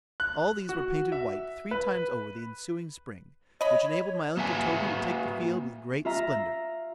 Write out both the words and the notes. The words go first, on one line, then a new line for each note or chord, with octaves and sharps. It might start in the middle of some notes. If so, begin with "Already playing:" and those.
All these were painted white three times over the ensuing spring, which enabled my uncle Toby to take the field with great splendour.
F#6
F#4
E5
B4
C#5 D#5 B5
A#3 F#4 B4 E5 F#5 G#5
F4 E5 A#5 F6